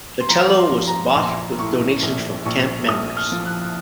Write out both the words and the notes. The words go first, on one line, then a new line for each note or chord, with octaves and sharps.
The cello was bought with donations from camp members.
C6
F3 A#5
C6
F3
A#5
A#1 C6
A2 C#6
A#1
A#1 C#6
A#1 D#6
F6
F3
F#6